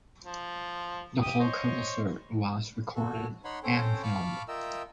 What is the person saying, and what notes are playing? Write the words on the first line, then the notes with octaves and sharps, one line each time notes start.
The whole concert was recorded and filmed.
F3
G4 D#6
C5 C#5 D#5
F#4 A4
D#4 C#5 F#5 B5 C6
C4 C#4 A4 C5 C#5 G5
F5 A5 B5 C#6 D6 F6
F4 A#4 D#5 E5 G5 E6